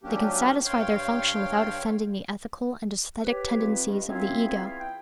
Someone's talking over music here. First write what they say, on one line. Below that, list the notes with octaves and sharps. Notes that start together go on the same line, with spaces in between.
They can satisfy their function without offending the ethical and aesthetic tendencies of the ego.
G#2 F#3 A#3 C#4 D4 G4
G2 C#5 F5 G5 C6
G4 B4 C#5
F2
G2 D#5
F#2 C4 F4 E5 G#6
E2
G5